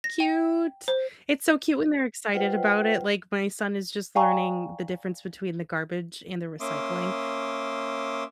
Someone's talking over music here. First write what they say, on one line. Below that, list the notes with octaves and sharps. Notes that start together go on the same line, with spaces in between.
Cute, it's so cute when they're excited about it, like, my son is just learning the difference between the garbage and the recycling,
A#6
G5
C5
F4 B4 C5 D#5 F#5 G5
D5 F5 G5 G#5 A#5 C#6
A#3 C#4 E5 C6 D6 D#6